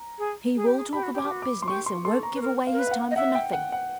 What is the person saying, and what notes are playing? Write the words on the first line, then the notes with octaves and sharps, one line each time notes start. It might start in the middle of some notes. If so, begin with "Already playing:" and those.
He will talk about business, and won't give away his time for nothing.
Already playing: A#5
G#4
G#4
G4
G#4
G4 B5
F#4
G4
D6
G4
F#4
D6
C6
G4 C#6
C6
A4 C6
A#5
B4
A#4
F5
A#4
B4
F5
F#5
D#5
E5 F#5
G5
F#5
F#5